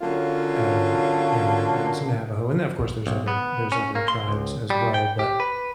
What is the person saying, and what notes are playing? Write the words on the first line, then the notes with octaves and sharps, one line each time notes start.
uh, and, uh, some Navajo, and then of course there's other there's other tribes as well, but,
D3 F#3 A#3 C#4 F4
B1
B3
C#4
A#3
C6
C#2
G3
G5
G4
B4